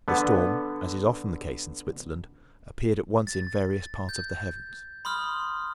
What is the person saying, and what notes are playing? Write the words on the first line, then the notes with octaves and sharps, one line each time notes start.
The storm, as is often the case in Switzerland, appeared at once in various parts of the heavens.
D3 B3
A6
G6
B5 C6 D#6 F6